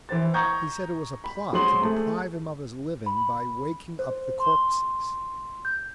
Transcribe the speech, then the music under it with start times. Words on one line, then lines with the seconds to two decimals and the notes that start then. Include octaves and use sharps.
He said it was a plot to deprive him of his living by waking up the corpses.
0.09 E3 C5 A6
0.34 A#5 C#6 D#6 G6 G#6
1.24 B5
1.53 F#3 G#3 C5 C6 D#6 F#7
1.82 A3 G#4
3.06 B5
3.99 C5
4.40 C6
5.65 G6